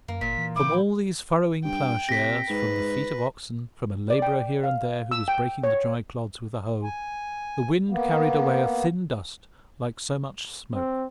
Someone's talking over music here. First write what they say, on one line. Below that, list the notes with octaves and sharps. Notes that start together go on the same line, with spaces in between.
From all these furrowing ploughshares, from the feet of oxen, from a labourer here and there who was breaking the dry clods with a hoe, the wind carried away a thin dust like so much smoke.
F#2 A#3
G1 A#2 B6
E3
E4 G5 D6
G2 G5
C3 A#6 B6
G#2 B4
D5
G5
F5
E6
G5
C#5
G#5
A#3 B3
C4